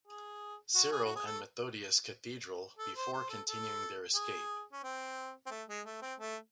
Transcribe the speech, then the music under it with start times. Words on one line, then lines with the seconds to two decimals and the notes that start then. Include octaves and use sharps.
Cyril and Methodius Cathedral before continuing their escape.
0.08 G#4
0.75 F#4
0.92 G#4
1.05 F#4
1.16 G#4
1.26 A4
2.79 A4
2.97 C5
3.13 C5
3.30 A4
3.48 A4
4.15 G#4
4.73 C#4
4.84 C4
5.47 C4
5.51 A3
5.69 G#3
5.86 A3
6.02 C4
6.20 A3